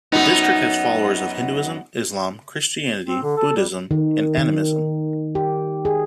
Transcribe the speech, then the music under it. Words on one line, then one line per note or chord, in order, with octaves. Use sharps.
The district has followers of Hinduism, Islam, Christianity, Buddhism and Animism.
F#2 B3 D#4
C4
D3
A4
G3
D#3
D#3
G4
G#4